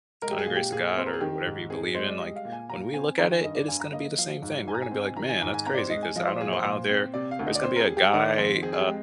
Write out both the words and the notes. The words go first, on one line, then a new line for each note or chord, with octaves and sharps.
by the grace of God or whatever you believe in, like, when we look at it, it is gonna be the same thing; we're gonna be like, "Man, that's crazy," 'cause I don't know how there there's gonna be a guy, uh,
G#3 A#4
G4
G#4
A#2
G4
A#2 G#4
C4 C5
A#4
G#4
D#3 G4
G#2
C4 G#4
G#4
G#3 C5
D5
G3 D#5
F5
A#2
G#5
A#2 A#5
C4 G#5
D#3 A#5
G#5
G2 D#5
D5
G2 G#5
A#5
A#3 D#5
D#5
F3 F5
G#2
G#2 G#5
A#5
G#5
C4
G#5
D#3 A#5
G#5
G#2 G#5
G#5
C4 A#5
D5
C5
G#3 D#5
G#5
F3 D#5
D5
C5
A#2 G#4
C5
A#2 C5
C4
C3 D5
F5
D2
D#5
D5
C4 C5
A#4
G#4
G3
G4
D#3 D5
F2 C5
C4 G#4
G#4
G4
G#3